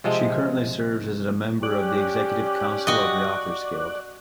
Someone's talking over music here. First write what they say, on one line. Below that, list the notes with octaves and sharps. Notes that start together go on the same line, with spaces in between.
She currently serves as a member of the executive council of the Authors Guild.
C3 F3 G#3
C#4 G4 D5 D6 F#6
F#4 D#5